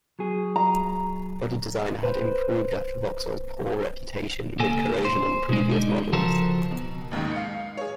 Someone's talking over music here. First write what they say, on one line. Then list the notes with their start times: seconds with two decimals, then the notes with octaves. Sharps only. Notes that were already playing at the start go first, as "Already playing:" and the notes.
Body design had improved after Vauxhall's poor reputation with corrosion on previous models.
0.19 F#3 G#4
0.56 A#5
2.03 B4 C5
4.59 C#2 A#3 A4 G#5
5.05 C5
5.49 B2 G#3
5.72 D3 D#4
6.13 C#3 F3 F#4 A4 A#4 C5
6.71 B2
7.11 A1 D#2 G#2 D#3
7.32 F5 C#7
7.77 G#4 C#5